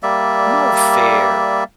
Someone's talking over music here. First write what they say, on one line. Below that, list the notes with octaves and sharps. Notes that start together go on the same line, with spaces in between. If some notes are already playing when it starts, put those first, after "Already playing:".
No fair.
G3 A#3 D5 E5